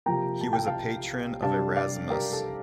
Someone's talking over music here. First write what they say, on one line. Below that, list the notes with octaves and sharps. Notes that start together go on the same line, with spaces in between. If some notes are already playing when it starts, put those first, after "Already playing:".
He was a patron of Erasmus.
C3 F3 A#3 G5 A#5
A5
G5
F5 A5
C3 G3 D4 F5 A5
D5 F5
G4 A#4
A4